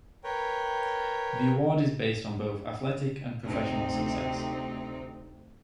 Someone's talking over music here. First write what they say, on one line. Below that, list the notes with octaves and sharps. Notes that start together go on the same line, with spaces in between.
The award is based on both athletic and professional success.
A#4 B4 C#5 G5
D2 C3 C4 D#4